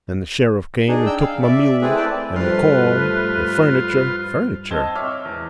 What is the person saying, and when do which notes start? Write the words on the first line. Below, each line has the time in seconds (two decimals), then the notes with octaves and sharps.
Then the sheriff came and took my mule and corn and furniture--" "Furniture?
0.88 D4 D#4 G#4
1.06 G5 E6 G6
1.20 F5
1.42 D5 E5
1.82 A3 C4 E4 G#4 B4
1.96 B4 D5 G5 A5
2.36 G2 F3 A3 F4 B4
4.71 C4 D#5 A5 E6 G#6 G7
4.95 C#5 E5 D6 F6
5.25 E2